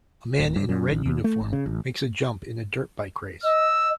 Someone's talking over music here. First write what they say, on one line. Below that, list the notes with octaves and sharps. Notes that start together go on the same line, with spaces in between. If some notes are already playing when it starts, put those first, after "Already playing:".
A man in a red uniform makes a jump in a dirt bike race.
D1
G2
F#2
A1
D#2
A3
G#1
C#3
A1
D#5 E6